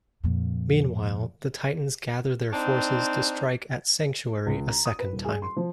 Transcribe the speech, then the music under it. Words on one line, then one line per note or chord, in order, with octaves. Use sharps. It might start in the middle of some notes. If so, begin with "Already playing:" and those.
Meanwhile, the Titans gather their forces to strike at Sanctuary a second time.
F2 A#2
C4 D4 D#4 C5
C#2
A#5
D#6
B4
D#1
G#4
C6
F3